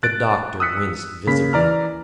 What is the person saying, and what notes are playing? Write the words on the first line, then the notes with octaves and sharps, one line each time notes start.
The doctor winced visibly.
F#6 A6 D7
D#6 E6 F#6 B6 C#7
C#3 A#3 B5 B6
E3 D5 A#5 F6